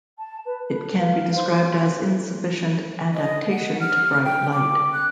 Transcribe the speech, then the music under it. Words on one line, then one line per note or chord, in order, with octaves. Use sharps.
It can be described as insufficient adaptation to bright light.
A5
B4
B4
F5
C5
D#5
F#5
F6
G5
D6
F#6